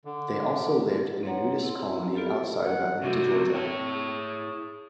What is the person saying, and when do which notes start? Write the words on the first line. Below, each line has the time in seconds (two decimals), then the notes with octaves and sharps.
They also lived in a nudist colony outside of Atlanta, Georgia.
0.05 D3
1.23 C4 B4 C#5 F#5 A#5
1.63 C4 E4
2.14 B3 F4 G4 A4 F5
2.66 F#5
3.03 C3 A3 F#4
3.54 C4 E4 C#5
3.96 G#4